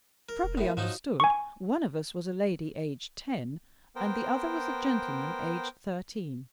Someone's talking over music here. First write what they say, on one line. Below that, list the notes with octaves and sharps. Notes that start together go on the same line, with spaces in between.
Properly understood, one of us was a lady aged ten, and the other was a gentleman aged thirteen.
A#4
E1
F#2 A2
G#2 F3 F#3 D#4
G#5 C#6
B3 A#4 C5 G5